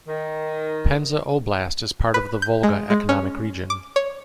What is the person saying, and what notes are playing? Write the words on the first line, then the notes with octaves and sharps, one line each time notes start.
Penza Oblast is part of the Volga economic region.
D#3
B4
G6
G#3
G#3
C#4
D6
C#5